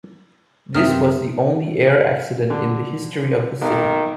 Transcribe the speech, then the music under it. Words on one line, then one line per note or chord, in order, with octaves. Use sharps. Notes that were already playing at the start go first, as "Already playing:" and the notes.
This was the only air accident in the history of the city.
F#2 C3 B3 C4 A#4 E5 D#6 F6
D3
B1 D#3